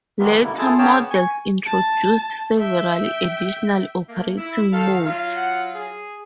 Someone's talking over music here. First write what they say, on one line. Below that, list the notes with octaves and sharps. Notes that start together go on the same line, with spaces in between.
Later models introduced several additional operating modes.
D#3 E3 G3 G#3 A#3 B3
B2 D3 A#3 E4
E4 F4 G#4 A4 A5
A#3 C#4 G#4 C#5 G5 A5
B3
G#5 C#6
A5
E5 G5
A3 A#3
E4
D#3 A4 F5
F#3 F4 F5
F#5
G#4